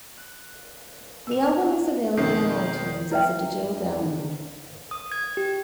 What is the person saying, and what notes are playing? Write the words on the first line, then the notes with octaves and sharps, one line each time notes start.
The album is available on iTunes as a digital download.
F#6
E6 F7
F2 B2 D#3 G#3 C4 D#6 G6 C7
E4 B4 E5 G5
D#6
G#6
G4